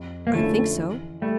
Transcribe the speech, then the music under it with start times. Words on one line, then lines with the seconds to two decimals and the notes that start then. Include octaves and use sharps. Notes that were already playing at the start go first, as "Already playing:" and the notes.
"I think so."
Already playing: F2
0.27 A#3
0.34 D3 F3 A3 C#4 E4
0.78 E3
1.21 G3 A3